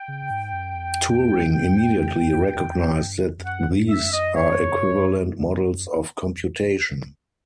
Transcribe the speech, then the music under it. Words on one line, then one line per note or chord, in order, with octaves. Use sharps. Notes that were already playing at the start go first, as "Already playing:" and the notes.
Turing immediately recognized that these are equivalent models of computation.
Already playing: G5
C#3
G#2
F#2
F2
F2
E2
F2
G2
F2
F#2 F#5
E5
D#5
C#5